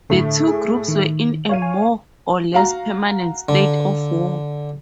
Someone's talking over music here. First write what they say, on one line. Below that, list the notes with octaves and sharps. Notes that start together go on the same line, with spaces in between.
The two groups were in a more or less permanent state of war.
A2 D3 A3 E4
G#4
D#3
C#5 F5 D#7
G#5
F#4 F5 A#5
D3